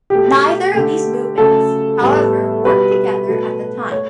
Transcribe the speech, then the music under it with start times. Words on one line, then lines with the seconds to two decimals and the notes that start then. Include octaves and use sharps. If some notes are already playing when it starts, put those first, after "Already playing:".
Neither of these movements, however, worked together at the time.
0.10 B2 A3 G4
0.74 D3 A3
1.38 C#3 F#3 A3 A4
2.01 A2 G3 B3
2.64 B2 G3 B3 B4
3.28 B2 F#3 A3
3.91 A3 C#5